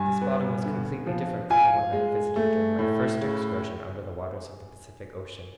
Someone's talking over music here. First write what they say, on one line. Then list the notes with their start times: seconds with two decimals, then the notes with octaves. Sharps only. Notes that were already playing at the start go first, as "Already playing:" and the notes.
This bottom was completely different from the one I had visited during my first excursion under the waters of the Pacific Ocean.
Already playing: G2 G#5
0.21 B3
0.65 D3
1.07 F3
1.50 F4 G#5
1.93 G#3
2.36 A3
2.79 A2
3.21 C#3